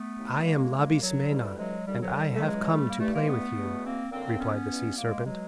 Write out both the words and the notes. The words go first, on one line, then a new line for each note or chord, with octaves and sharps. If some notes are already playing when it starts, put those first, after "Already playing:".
"I am Labismena and I have come to play with you," replied the sea serpent.
Already playing: A3 B3
D#2 D#3
G#3 A#3
C2 A#2
F#3
D2 C3 E3 G3
F#3 G#3
D#2 D3 G3
F#3
G3
A3
C#2 C#3 E3 F#3 G#3
G3 A3
A#3
G2 E3 G3 A3
G#3 A#3
A3 B3
E2 B2
A#3 C4
F#2 D3 A#3 C4
B3 C#4
G2 E3
G#3 A#3
B2 F#3 G#3